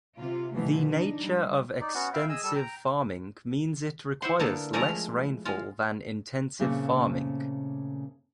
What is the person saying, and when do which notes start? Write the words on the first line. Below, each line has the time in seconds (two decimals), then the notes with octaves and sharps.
The nature of extensive farming means it requires less rainfall than intensive farming.
0.18 C3 F4
0.53 B2 D3 E3 F3 G3 A3
0.87 D4 D#4
1.18 G3
1.80 D#4 D5
1.94 B3 C#4 F#4 F#5
2.13 E5 F5 G5 B5
2.29 G#4 D#5 G#5 E6
2.43 G3 A4 E6
2.55 G5 A#5
4.22 E4 G4 C5 F#5 C6
4.40 D3 A#3 B3 A4
4.73 F3 G#3 A3 E4 D5 A#5
5.45 G#3 F4
6.59 A#2 C#3 A3 A#3 C4 C#4